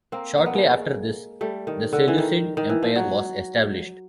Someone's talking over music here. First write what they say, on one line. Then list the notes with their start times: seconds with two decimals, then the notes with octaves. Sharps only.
Shortly after this the Seleucid Empire was established.
0.12 A#3 C4
0.38 A#3
0.46 B3
0.54 G#3 A#3
1.41 G3 A3
1.67 D#3
1.93 D3
2.08 E3
2.18 D#3
2.57 D#3
2.70 E3
2.83 F3
2.95 F#3